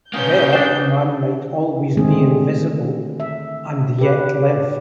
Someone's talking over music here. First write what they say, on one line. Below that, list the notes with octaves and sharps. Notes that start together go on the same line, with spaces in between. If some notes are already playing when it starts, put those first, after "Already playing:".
There a man might always be invisible — and yet live.
A#3 C#4 B4 D#6 G6
D4 C5
D3 D#3 G#3 A3 C4 G#4
E5
G4 B4